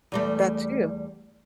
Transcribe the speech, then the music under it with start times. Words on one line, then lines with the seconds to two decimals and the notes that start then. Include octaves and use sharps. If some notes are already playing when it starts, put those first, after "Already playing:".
That too.
0.12 E2 G3 A3